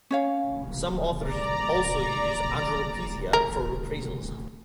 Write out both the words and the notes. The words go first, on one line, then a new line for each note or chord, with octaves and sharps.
Some authors also use "androlepsia" for reprisals.
C#4 C#5 F5
D5 A#5
A#4